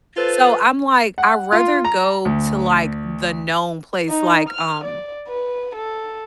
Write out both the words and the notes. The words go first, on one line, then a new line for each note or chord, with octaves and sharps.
so I'm like, "I'd rather go to, like, the known place." like, um
F4 A4 B4 C5
F#5
F4
A#5
D2
D#4
F6
D5
B4
A4